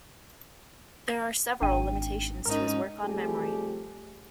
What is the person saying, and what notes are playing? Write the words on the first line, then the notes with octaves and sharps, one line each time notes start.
There are several limitations to his work on memory.
G#1 D4 G5 D#7
G#2 C#4 D#4 A#4
C3 F3 G3 A3 G4 G#4